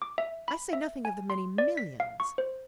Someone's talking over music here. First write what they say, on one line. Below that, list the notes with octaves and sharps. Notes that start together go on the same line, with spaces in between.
I say nothing of the many millions...
D6
E5
B5
E5
G#5
C6
D5
B6
F5
C#6
C5